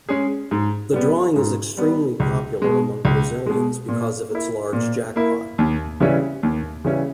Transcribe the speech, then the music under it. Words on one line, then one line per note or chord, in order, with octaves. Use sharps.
The drawing is extremely popular among Brazilians because of its large jackpot.
G#3 C#4 G#4
G#2
G3 B3
G#2
G3 B3
C#2
B2 G#3
C#2
B2 G#3
A#2
A#3 E4
A#2
A#3 E4
D#2
C#3 E3 G3 C#4
D#2
C#3 E3 G3 C#4